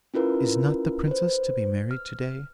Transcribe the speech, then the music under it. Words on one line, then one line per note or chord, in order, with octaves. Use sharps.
'Is not the princess to be married to-day?'
C#4 E4 F4 A#4 B4
B4 C5
F6